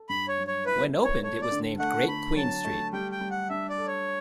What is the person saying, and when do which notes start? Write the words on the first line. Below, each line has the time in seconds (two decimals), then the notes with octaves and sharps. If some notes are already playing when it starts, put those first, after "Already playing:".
When opened it was named "Great Queen Street".
Already playing: A4
0.09 G2 B5
0.28 C#5
0.38 F#3
0.47 C#5
0.66 E4 B4
0.94 E4
1.04 C#5
1.23 A3 C#5
1.42 D5
1.52 D3
1.79 A3 F#5
2.08 D3 B5
2.36 F#3 A5
2.65 A3
2.93 G3 G5
3.11 G5
3.21 G3
3.31 F#5
3.50 D4 E5
3.69 D5
3.78 A4
3.87 C#5